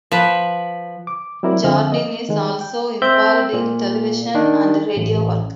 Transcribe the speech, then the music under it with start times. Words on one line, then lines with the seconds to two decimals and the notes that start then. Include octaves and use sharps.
Jardin is also involved in television and radio work.
0.12 F3 B4
1.07 D6
1.43 F#3 C4 E4 A#4 D5
1.64 F2 D3 F3 C4 E5 F6
1.92 A#3 D#5
2.29 D#3 G#3
2.61 G5
3.02 C4 E5 G6
3.53 A#2
4.35 D#3 D4
4.96 A1